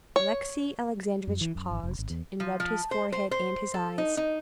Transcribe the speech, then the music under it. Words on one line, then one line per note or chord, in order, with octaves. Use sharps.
Alexey Alexandrovitch paused, and rubbed his forehead and his eyes.
C#5
F#2
E3
F#2
G#1
F1
G#1
E2
F3
F3
C5
C5
C5
A4
D#4
D#4